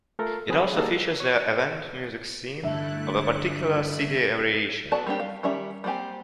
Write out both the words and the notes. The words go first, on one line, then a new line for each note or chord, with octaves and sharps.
It also features the avant music scene of a particular city every issue.
A3 F4 A4 A#4
F#3 C4 G#4 A5 B5 F#6
G3 A#3 D#4 F#4 G#4 A4
F#6
C#5 C#6
G2 D3 A3 E4 A4 E5 F#6
B3 F#4 A4 D5 A5
G3 A#3 C4 D4 G4
F5
D#3 G3 C#4 E5
G3 A#3 C4 G4 G#5